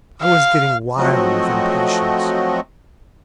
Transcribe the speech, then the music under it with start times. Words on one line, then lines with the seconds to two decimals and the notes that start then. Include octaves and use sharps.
I was getting wild with impatience.
0.22 F5
0.98 F3 F#3 A3 C4 F#4 D#5